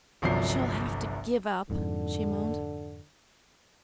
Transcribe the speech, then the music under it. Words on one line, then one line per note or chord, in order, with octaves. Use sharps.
"I shall have to give up!" she moaned.
G1 C2 F3 F#3 C7
F2 G#2 D3